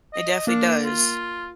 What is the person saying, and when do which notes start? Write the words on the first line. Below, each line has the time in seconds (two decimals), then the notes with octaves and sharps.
It definitely does.
0.13 D#5
0.47 A#3 D4 A#4
0.85 F4